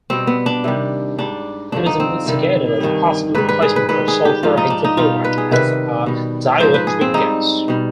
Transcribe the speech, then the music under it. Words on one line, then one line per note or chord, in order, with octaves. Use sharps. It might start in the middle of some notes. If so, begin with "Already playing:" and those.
It is investigated as a possible replacement for sulfur hexafluoride as a dielectric gas.
B2 G3 C4
B3
D4
C3 D#3 G3
G#2 G3 D4
G2 D3 F3 D4
D#4
C4
C3 D#3 G3
G2 D#3 G3
G#2 G3 B4
B4
G#4
B4
G#2 D#3 G3 B4
G#4
G4
G#2 F3 F4
D#4
D4
D#4
B2 G3 F4
B4
G#4
C3 D#3 G3 B4
B2 G3
G#2 F3 C5
B4
G#4
C4
G#2 G3 D#4
B2 G3